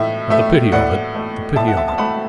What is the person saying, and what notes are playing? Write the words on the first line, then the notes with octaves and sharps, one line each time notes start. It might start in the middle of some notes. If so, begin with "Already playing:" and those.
But the pity of it--the pity of it!
Already playing: A2 A3 E5
A3 E5
A2 D5 F#5
A3
A2 E5 A5
F#5
E5 A5
A5
A3 F#5 B5